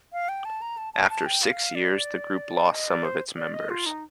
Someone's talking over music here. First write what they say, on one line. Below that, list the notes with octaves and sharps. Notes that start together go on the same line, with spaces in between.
After six years the group lost some of its members.
F5
G5
A5
A#5
A5
A5
A5
G5
F5
D5
D#5
D5
C5
D5
D#5
F4
D#4